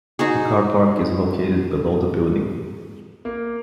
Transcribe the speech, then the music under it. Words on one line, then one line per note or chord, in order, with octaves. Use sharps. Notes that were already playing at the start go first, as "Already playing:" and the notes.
A car park is located below the building.
D#4 F#4 G#4
A#3